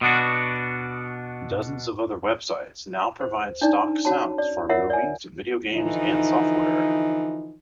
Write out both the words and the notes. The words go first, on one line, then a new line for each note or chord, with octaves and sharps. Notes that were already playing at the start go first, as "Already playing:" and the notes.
Dozens of other websites now provide stock sounds for movies, video games, and software.
B2 B3 D4 F#4
C5
D4 D#4 D5
C#4 F#4 C#5 A5
D5
F4 A#4 C#5 E5 F#5
D5 G#5
D3 E3 F3 D#4